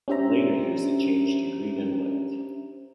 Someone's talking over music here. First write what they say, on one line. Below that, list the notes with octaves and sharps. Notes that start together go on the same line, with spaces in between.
In later years it changed to green and white.
C#4 D4 G4 C5 E5 A#5